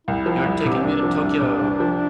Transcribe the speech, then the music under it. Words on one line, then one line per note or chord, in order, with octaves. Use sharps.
You're takin' me to Tokyo!
C2 E4
F3
C2
C3
C4
C2 D4
F3
C2
C3
C2
F3